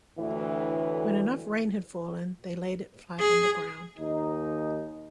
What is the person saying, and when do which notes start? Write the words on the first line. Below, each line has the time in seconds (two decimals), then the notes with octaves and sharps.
When enough rain had fallen, they laid it flat on the ground.
0.18 D2 A2 E3
3.20 G#4
3.99 D#2 D#4